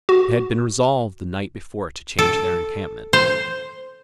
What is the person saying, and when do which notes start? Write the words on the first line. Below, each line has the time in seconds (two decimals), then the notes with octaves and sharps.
It had been resolved the night before to change their encampment.
0.09 F#4
2.19 A4
3.13 C5